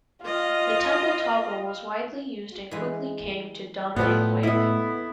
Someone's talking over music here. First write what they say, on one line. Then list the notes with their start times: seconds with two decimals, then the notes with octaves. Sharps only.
The Temple toggle was widely used, and quickly came to dominate whaling.
0.23 F4 D#5 F5
2.71 E3 G#3
3.96 A2 F3 B3 A4 D5 F5
4.43 B3 E4 A4 D#5